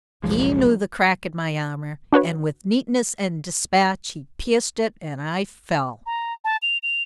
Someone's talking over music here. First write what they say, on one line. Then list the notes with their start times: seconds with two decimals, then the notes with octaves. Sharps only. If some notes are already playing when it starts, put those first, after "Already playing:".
He knew the crack in my armor, and with neatness and despatch he pierced it, and I fell.
0.23 F#1 B1 F3 G#3
2.13 D4 F#4 B4 C#5
6.06 A#5
6.45 A5
6.62 F7
6.83 F7